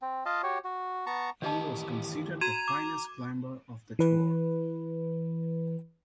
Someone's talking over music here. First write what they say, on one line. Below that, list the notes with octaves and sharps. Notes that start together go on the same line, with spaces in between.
He was considered the finest climber of the Tour.
C4
F4 D#5 F5 A5
F#4 G4 C#5
F#4
B3 A5 A#5 C#6
D#3 E3 G4 D5 D#5 A5
F#4 A#5 G#6 D#7 E7
D6
E3 B4